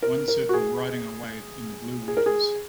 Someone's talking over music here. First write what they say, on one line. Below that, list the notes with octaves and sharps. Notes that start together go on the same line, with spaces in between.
One surfer riding a wave in the blue waters.
A#4
A#4
F#4
G#4
G#4
A#4
G#4